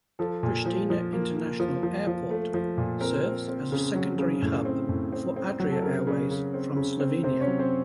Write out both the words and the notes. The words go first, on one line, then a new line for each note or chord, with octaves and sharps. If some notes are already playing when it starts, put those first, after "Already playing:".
Prishtina International Airport serves as a secondary hub for Adria Airways from Slovenia.
F3 A4
A#2
F3
F3
A#3
A#3
F3
F3
F3
A3
F3
A#2
C4 A#4
C4
C4
C#3
F#3
C#3
A2
C4
A2
C4
C4
F#3
A4
C#3 A#4
C#3
C#3
C4
C#3
C4
C3 C4 C5
C#4 C#5
F#3
C4 C5